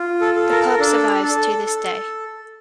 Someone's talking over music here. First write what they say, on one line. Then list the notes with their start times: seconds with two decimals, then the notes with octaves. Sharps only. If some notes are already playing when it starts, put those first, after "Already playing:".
The pub survives to this day.
Already playing: F4
0.21 A4
0.36 A4
0.51 A#4
0.68 A#4
0.79 D4 A4
1.23 A4
1.66 A4